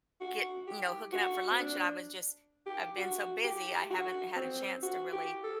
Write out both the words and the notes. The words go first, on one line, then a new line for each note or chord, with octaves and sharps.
get you know, hooking up for lunch, and I was just I've been so busy I haven't had a chance to really
F#4
G4
F#4
C4
D4
G4
F#4
G4
F#4
C4
F#4
G4
A4